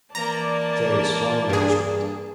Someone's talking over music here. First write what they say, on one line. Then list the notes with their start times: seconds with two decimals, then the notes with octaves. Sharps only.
There is one merchant.
0.15 E3 A#3 D5 A5 A#5
1.49 G2 G#4